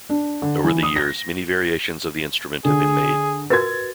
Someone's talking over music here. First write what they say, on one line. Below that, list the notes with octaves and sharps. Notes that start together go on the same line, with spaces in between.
Over the years many variations of the instrument have been made.
D4
D3
E3
D#6
A#6
D3 G#4
F#4 A#4 B4 G#6 A6